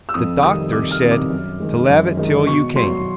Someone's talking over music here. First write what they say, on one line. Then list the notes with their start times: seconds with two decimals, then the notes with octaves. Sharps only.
"The docther said to lave it till you came."
0.09 E6
0.14 F2 D#6
0.43 C3 D#3 G3 D#6
0.72 F2 D6
0.91 F6
1.02 C3 D#3 G3
1.11 D6
1.30 F#2
1.60 D#3 G#3
1.89 F#2
2.17 D#3 G#3
2.47 B2 C#6
2.75 F#3 C6